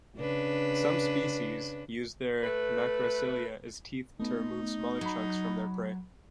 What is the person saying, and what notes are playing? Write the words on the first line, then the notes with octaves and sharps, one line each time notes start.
Some species use their macrocilia as teeth to remove smaller chunks from their prey.
C#3 D4 B4
A3 B4
A3 B3 D#4
F#3 A#5 B5